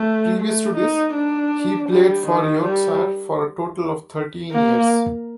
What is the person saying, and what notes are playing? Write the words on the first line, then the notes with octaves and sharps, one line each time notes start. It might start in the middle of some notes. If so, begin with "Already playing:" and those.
Previous to this he played for Yorkshire for a total of thirteen years.
Already playing: A3
A3
D#4
D4
G3
D#3
G3
A#3